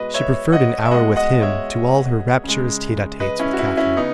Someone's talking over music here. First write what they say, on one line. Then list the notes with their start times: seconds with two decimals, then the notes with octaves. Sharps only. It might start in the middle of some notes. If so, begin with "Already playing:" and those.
She preferred an hour with him to all her rapturous tete-a-tetes with Catherine.
Already playing: B2 G#3 F#4 B4 D#5
0.14 C#5 E5
0.52 D#5 F#5
0.85 E5
0.91 B2 G#3 D#5 F#5
1.16 D#5 F#5
1.41 C#5 E5
2.44 C#3 G#3
3.20 B4 D#5
3.39 C#4 E4
3.53 F#4
3.59 C#4 E4
3.77 C#4 E4
3.96 C#3 B3 D#4